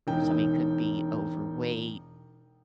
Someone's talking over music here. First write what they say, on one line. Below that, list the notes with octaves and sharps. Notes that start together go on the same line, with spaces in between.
Somebody could be overweight.
E1 D#4 G5